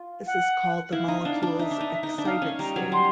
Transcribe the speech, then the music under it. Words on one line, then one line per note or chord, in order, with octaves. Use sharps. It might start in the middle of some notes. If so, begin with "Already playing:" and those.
This is called the molecule's excited state.
Already playing: F4
F#5
E4 F5
D#4
D4
D4
D#4 E5
D4
D#4
D#4
D4
D#4 F5
C#4
G3 A#5
F#3
G3 C6